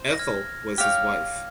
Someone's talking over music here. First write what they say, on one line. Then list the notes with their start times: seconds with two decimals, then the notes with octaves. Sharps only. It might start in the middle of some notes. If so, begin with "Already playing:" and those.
Ethel was his wife.
Already playing: C5
0.12 A#6
0.19 F6 G#6
0.78 G4 C#5 F5 F6